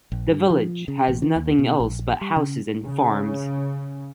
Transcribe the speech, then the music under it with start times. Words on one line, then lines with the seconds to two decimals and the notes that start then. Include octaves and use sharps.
The village has nothing else but houses and farms.
0.12 A#1
0.30 G2
0.50 F3
0.88 C#3
1.08 A1
1.22 E3
1.36 D#2
1.59 B2
1.80 A#1
2.21 G3
2.36 C#3
2.85 C#3